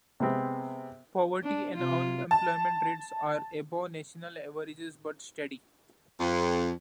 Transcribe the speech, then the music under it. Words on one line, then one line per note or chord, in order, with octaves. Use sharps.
Poverty and unemployment rates are above national averages, but steady.
C3 G#3 B3 C4
D4
C3 F4
A5
F2